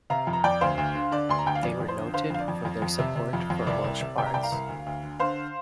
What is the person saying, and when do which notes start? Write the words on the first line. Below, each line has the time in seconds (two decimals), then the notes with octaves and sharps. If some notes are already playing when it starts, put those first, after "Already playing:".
They were noted for their support for Welsh bards.
0.10 C3 F5 A#5
0.27 F2
0.33 A#5
0.44 F2 D5 G5
0.61 D2 C5 F5
0.77 D2
0.95 D3
1.11 D3 D5
1.29 D2 C6
1.39 A#5
1.46 D2 G5
1.55 F5
1.63 F2 D5
1.80 F2
1.88 C5
1.97 D3
2.14 D3 C5 F5
2.30 F2 F5
2.40 D5
2.48 F2
2.65 F2
2.82 F2
2.99 C3
3.16 C3
3.33 F2
3.50 F2
3.67 C2 D5
3.84 C2
4.01 C3
4.18 C3 G5
4.26 A#5
4.34 C2 D5 G5
4.43 F5 A#5
4.52 C2
4.69 D2
4.86 D2
5.03 D3
5.19 D3 C5 F5